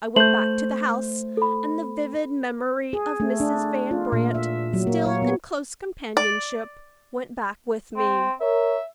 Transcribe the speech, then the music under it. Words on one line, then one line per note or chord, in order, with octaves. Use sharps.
I went back to the house; and the vivid memory of Mrs. Van Brandt, still in close companionship, went back with me.
A3 C5 G6 F#7
A4 B5
G#4
A3
D4
F4
A#2
E5
F#3
A#3
C#5
B3
D5
C4
A#4 C#5 E5